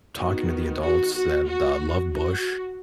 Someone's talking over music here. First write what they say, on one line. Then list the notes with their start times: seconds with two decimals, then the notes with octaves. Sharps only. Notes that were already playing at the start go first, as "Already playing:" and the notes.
talking to the adults that, uh, loved Bush,
0.18 D#3 B3 F#4
0.83 F#4
1.15 F#4
1.46 F#4
2.11 F#4